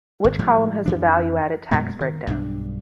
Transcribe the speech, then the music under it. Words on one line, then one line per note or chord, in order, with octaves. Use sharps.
Which column has the value-added tax breakdown?
G#1
A2 F3 G3 G#3
F2 E3 D4
F#2 B2 G#3 B3
D#3
B1 G2 G3 D4